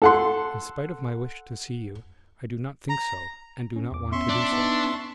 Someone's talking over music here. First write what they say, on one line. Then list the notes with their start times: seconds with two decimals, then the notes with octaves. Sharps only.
In spite of my wish to see you, I do not think so and do not want to do so.
0.02 A4 F#5 C6
2.90 A#5
3.76 C#4
3.91 E2 D6
4.12 B3 C#4 E5 C6 C#6
4.29 D4
4.52 B3 D#4 B4